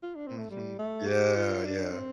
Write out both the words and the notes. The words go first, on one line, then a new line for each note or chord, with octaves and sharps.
Mhm. Yeah, yeah.
F4
D4
C4
A3
G3
A3
G4
F4
D4
C4